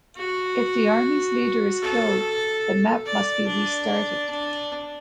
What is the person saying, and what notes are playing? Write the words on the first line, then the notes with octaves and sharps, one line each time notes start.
If the army's leader is killed, the map must be restarted.
F#4
A4
D5
D4
D4